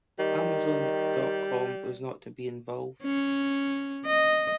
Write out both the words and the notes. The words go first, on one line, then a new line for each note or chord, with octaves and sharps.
Amazon dot com was not to be involved.
D#3 G3
C#4
D#5